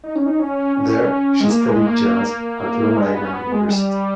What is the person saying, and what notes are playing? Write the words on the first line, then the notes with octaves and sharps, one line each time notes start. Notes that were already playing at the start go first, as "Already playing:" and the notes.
There she studied jazz at Long Island University.
D#4
C#4
D#4
C#4
C#4
G#3
A#3
G#3
A#3
G#3
B3
C#4
B3
G#3
G#3
G3